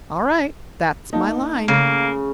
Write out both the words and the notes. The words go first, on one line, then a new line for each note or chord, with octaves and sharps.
"All right--that's my line."
A#3 D#4 A5
C#3 A3 A#3